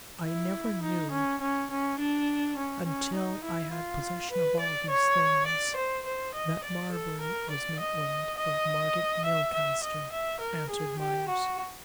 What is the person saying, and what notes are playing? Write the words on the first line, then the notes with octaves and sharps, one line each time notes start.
"I never knew until I had possession of all these things that Marbury was Maitland of Market Milcaster," answered Myerst.
E4
D#4
C#4
C#4
C#4
D4
C#4
C#4
D#4
E4
F4
B4
D5
C#5
D5
C5
C5
D#5
D5
A4
A#4
D5
D#5
D#5
E5
E5
D#5
E5
A#4
G#4
G4
F#4